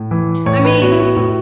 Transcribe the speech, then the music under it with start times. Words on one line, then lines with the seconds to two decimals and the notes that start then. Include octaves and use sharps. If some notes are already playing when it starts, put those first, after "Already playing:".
I mean,
Already playing: A2
0.11 E3
0.46 A2 C#5
0.65 B4
0.82 B3 F#4
0.91 E4
1.00 F#4
1.16 A2 F#4